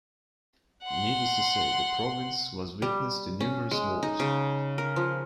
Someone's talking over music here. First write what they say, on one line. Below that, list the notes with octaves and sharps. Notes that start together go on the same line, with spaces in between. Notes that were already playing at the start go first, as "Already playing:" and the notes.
Needless to say, the province was witness to numerous wars.
F#5 C6
G3
C#4
G#3
D#4
C#3
A#4
F3